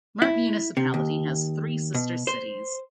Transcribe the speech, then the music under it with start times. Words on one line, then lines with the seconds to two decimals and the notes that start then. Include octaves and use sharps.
Mark Municipality has three sister cities.
0.22 E4
0.77 C3
0.94 D#2
1.94 B2
2.27 C5